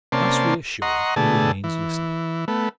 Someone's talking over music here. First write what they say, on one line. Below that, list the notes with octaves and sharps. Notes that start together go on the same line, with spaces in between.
Thus reassured he remains listening.
C3 A#3 C#4 D5 A5 C6
D#5 F#5 A#5 C6 C#6
B2 D3 A3 G#4 A5
E3
A3 B3